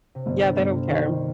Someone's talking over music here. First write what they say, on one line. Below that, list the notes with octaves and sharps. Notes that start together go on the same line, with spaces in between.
Yeah, they don't care.
C3
G1 D3
G1
C3
D#3